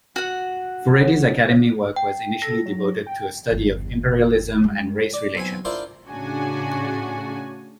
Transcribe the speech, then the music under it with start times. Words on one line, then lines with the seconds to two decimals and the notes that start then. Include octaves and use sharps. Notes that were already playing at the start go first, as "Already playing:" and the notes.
Furedi's academic work was initially devoted to a study of imperialism and race relations.
0.16 F#4 F#5
1.96 G5
2.42 A4 A#6
2.66 F#3
3.07 G5
3.51 G1 E2
4.62 G2 G#3
5.14 D5
5.35 B1 C4 G#5
5.65 D4 E4 F4 A#4 C5 A5
6.09 A2 C#3 D4 F#4 G#5